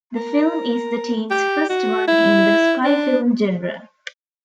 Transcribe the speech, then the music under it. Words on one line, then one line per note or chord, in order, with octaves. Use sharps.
The film is the team's first one in the spy film genre.
A#4
G4
F#4
E4
D4